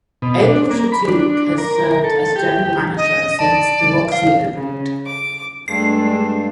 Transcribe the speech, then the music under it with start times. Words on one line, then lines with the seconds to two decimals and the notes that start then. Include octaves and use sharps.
April Shattuck has served as general manager since The Roxy opened.
0.22 B2
0.42 D4
0.71 A#3
0.92 B5
1.07 D4
1.58 A#4
2.04 A4
2.36 G4
2.63 G4
2.97 D#5
3.39 D5 A5
4.12 F5
4.54 C#3
5.07 D6
5.68 G2 G#3 A3 D4 C7